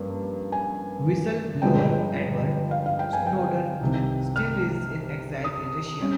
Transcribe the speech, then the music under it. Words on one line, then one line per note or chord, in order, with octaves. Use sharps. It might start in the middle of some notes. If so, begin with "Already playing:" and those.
Whistle-blower Edward Snowden still lives in exile in Russia.
Already playing: G2 F3 A#3 C#4
G#5
G1 G2 F3 G#3 G5
F5
F5
G5
G#5
G5
C2 C3 D#3
F6
D#6
G3 C#4